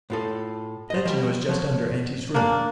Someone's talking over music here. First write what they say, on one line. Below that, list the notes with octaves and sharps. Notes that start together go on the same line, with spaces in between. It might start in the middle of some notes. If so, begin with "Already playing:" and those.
That you know is just under auntie's room.
A2 F4 A4
C5 D#5
F3 G3
F3 C#5
A#3 D4